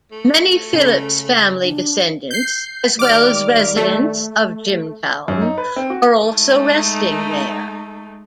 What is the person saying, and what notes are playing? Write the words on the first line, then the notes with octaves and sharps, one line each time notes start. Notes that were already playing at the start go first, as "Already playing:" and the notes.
Many Phillips family descendants, as well as residents of Jimtown, are also resting there.
A3
C#3
D4
G6 C7
D#3 G3 D5 D6 F6
A3
F#2
D#4
B4
C4
F#4
G#3 A3 D#4